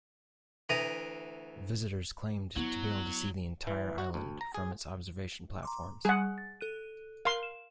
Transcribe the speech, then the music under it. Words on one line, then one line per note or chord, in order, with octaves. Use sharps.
Visitors claimed to be able to see the entire island from its observation platforms.
D2 E3 A#5 D#6
F#3 B3 E4
E3
F#4
D2
A#5
G#4
A#5 C6 D6
G3 G#4 F#5
A6
A4 F#6 D#7
A#4 F5 C6
E7